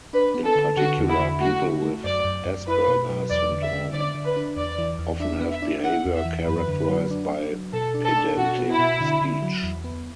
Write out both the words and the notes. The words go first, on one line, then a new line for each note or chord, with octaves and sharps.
In particular, people with Asperger syndrome often have behaviour characterized by pedantic speech.
D4 B4
B3
A4
D3
D3 F#4
E2
E4
D3
A3 F#4
D3
A3
F#2 D5
F#2
F#2
E4 B4
B2
F#3
E2 D5
D3
E5
D3
D3 D5
D3
B4
D4
E2 D5
E3
E2
D4 E5
B3
E5
D4
E4 F#5
E2
E5
E3
F#2 B4
D3
F#3
D4
D4
F#3
B2 A4
D4
A4
D4
B2 F#4
B3
E4
B2
D3
D3
F#3
E2
B3